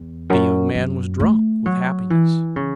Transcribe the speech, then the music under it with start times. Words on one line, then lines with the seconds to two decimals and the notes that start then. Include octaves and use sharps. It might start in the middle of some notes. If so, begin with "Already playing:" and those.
The young man was drunk with happiness.
Already playing: E2
0.30 F#2
0.75 F#2
1.20 A3
1.66 F#3
2.10 E3
2.56 C#3